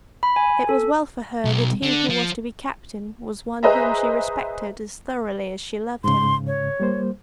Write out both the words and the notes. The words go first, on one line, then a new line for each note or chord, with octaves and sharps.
It was well for her that he who was to be captain was one whom she respected as thoroughly as she loved him.
B5
G#5
A4
B1
D3
F3
G#4 B4 C5 D#5 E5 A#5
G#2 C#3 C6
C#5
G3 A#3 C5